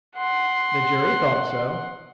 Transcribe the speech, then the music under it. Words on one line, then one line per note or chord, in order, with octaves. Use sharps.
"The jury thought so."
F#5 C6